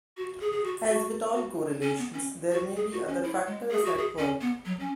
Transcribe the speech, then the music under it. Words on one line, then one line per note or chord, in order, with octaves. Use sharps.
As with all correlations, there may be other factors at work.
F#4
G#4
G#4
F#4
F#4
F#4
C#4
B3
C#4
F#4
G#4
F#4
C#4
E4
G#3
G#4
F#4
G#4
C#4
B3
F#3
C#4